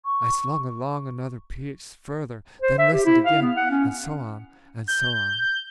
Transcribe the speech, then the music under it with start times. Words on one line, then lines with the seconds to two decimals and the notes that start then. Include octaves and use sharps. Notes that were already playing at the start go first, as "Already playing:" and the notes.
I slunk along another piece further, then listened again; and so on, and so on.
0.05 C#6
2.62 C5
2.78 E5
2.93 G4
3.05 E4
3.26 F5
3.42 B3
3.56 F#5
3.70 C#4
4.88 G6